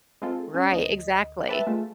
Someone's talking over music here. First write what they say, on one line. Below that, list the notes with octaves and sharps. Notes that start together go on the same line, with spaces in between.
Right, exactly.
G#3 C4 F4 A4
C#4
D2 D3 D#5
G4 B4 E5 A5
G#3 A3 F4